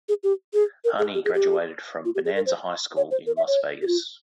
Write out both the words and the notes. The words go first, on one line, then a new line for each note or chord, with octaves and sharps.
Harney graduated from Bonanza High School in Las Vegas.
G#4
G4
G#4
A#4
G#4
G4
G#4
G4
F4
G4
G#4
A#4
C5
C#5
C5
A#4
E5
C#5
G4
F4